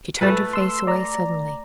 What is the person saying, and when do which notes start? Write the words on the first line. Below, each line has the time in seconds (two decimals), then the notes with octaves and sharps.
She turned her face away suddenly.
0.21 A3 A4 B4
0.53 C6 E6
0.87 D5 A#5